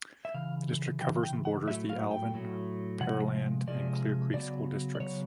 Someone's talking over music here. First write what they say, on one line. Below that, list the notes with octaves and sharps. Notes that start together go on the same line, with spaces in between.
The district covers and borders the Alvin, Pearland and Clear Creek school districts.
E5
C#3 E3 F5
C#3 E3 G5
G5
F#5
A2 F#3 A3 E5
F5
G5
A2 F#3 A3
C3 F3 G#3 F#5
C3 F3 G#3 D5
C#3 F#3 B3 D5
D5
C#3 F#3 B3 C#5